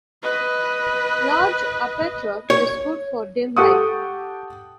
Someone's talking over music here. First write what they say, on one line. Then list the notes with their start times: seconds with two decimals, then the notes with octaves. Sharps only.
Large aperture is good for dim light.
0.22 B4 D#5
2.50 C#5
3.56 G4 A4 F#5 C#6 D#6